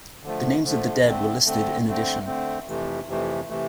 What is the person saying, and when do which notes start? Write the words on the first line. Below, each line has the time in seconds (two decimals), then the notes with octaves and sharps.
The names of the dead were listed in addition.
0.23 D3 F3 A3
0.64 D3 F3 A3
1.05 D3 A3 C4
1.45 D3 A3 C4
1.86 D3 A3 C4
2.26 D3 A3 C4
2.67 F2 C3 E3 A3
3.08 F2 C3 E3 A3
3.49 C3 E3 A3